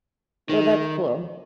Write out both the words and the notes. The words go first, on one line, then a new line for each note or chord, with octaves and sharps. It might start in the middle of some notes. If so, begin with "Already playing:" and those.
Well, that's cool.
D#3 D#4